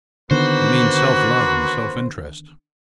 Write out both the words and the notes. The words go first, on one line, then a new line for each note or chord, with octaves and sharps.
You mean self-love and self-interest.
D3 D#3 A#3 B3 F#4 B4 C5